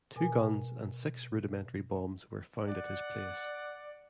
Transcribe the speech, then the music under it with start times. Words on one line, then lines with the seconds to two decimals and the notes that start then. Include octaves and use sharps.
Two guns and six rudimentary bombs were found at his place.
0.16 B2 A#4 G#5
2.67 D5 F#5